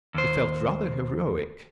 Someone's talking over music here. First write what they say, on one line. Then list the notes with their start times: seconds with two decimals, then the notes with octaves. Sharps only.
He felt rather heroic.
0.14 D#2 C5